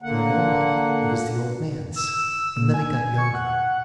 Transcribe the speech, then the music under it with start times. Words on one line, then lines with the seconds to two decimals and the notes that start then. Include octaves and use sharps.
'For a moment it was the old man's, and then it got younger.
0.02 D3 A#3 F#5
1.96 E6
2.57 A#2
2.74 G#5
3.18 C#6
3.34 F#5